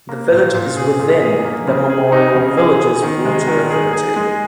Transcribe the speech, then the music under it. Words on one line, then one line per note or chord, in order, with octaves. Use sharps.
The village is within the Memorial Villages Water Authority.
A#3
A#2
A#2
G#4
A#2
G#4
A#3
C#3
G#4
D#4
C#3
G#4
G#4
D#3
G#3
D#3
G#4
G#4
G#3